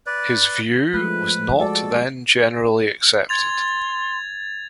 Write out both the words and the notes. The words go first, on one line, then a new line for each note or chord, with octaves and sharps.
His view was not then generally accepted.
B4 D5
F3 G#3 A3 B4
G#3 F#4 A4 D5
C6 G#6 A6 F7